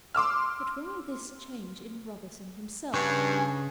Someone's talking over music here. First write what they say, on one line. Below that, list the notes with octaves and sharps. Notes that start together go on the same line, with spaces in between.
But why this change in Brotherson himself?
C6 D6 E6 F6
G2 C#3 G#5 C#6 G6